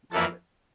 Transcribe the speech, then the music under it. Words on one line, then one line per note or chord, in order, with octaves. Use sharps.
Got it.
F2 E3 A#3 E4 A4